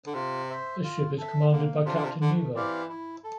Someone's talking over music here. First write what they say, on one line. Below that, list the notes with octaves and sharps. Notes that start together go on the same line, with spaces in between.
This ship is commanded by Captain Neuville.
D3
C3 F4
C5 E5
F4
A4 E5
D3 A#3
C3 D4 F4
D3
C3
D3 A3
E3 C4 G4 D5 F5
E4
A4